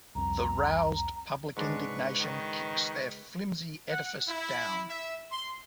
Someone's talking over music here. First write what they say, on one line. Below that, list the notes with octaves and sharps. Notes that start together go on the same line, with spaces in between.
The roused public indignation kicks their flimsy edifice down.
C2 F2 A#5
C#2 G#2 G#3 D4 B4 C#6
D#3
F#5
E4
E5
C6